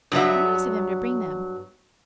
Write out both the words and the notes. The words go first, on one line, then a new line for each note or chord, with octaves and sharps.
How nice of him to bring them!
G2 F#3 B3 E5